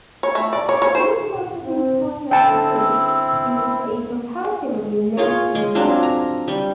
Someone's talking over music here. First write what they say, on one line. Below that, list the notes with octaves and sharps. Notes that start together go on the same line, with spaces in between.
During much of his time of the Court, he was a comparatively low-key judge.
C#5
A3
D5
C#5
C#5
C5
C4
D3 C4 C#4 E4 G5 A5 E6
F4 G#4 C#5
G#3
F#3 C4 D4 F4
A#5
G3